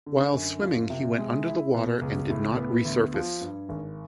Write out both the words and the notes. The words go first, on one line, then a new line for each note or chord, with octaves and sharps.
While swimming he went under the water and did not resurface.
D3
F#2
F3
C3
G#3
E4
B2
C#2
A2
B3
D2
F3
G2
G#1